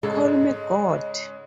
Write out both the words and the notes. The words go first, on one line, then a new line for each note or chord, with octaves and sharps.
"Call me God".
G#2 C#3 G#3 A4 D#5